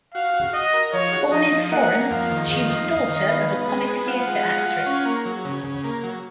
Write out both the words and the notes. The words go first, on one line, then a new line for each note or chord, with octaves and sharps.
Born in Florence, she was daughter of a comic theatre actress.
F#4 F5
F#4
F#4 D#5
A#4
F3 C#5
F#4
F3 D#5
F3
A#3 F#5
A#3
F2 F5
D#3
F2 F5
D#4
D#4
D#3
B3
B3
G#3
B3
F4 F#5
G#3
F4
F4
C#4
A#3
F#3
C#3
C#3
A#3
F#3